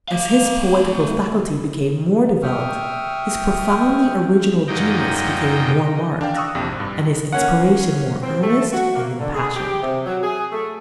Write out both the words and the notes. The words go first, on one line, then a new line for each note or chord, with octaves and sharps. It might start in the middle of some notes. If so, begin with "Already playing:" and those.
As his poetical faculty became more developed, his profoundly original genius became more marked, and his inspiration more earnest and impassioned.
A3 F5
E5 G5 C#6 D#6 F6
F#2 A#2 D#4 D#5 G5
D4 F5 G5
C#6 D#6 E6 F#6 A#6
A#1 F2 C3
G#1
G2
A#3 C#4 F#5
C4
A3
F#4
A#3
D3
G#4
G4
C3
F#3
G#4
A3